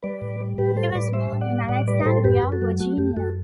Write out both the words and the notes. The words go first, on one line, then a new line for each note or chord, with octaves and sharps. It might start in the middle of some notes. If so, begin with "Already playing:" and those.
He was born in Alexandria, Virginia.
G3 B4 D5
A2
G3
A2 G4 B4
G3 A4 C5
A2 B4 D5
G3 C5 E5
A2
D5 F#5
G3
A2 D5 F#5
G3 B4 D5
A2 A4 C5
F#2 G4 B4
F#2
F#4 A4
F#3
A3 F#4
F#2 G4
F#2 F#4 A4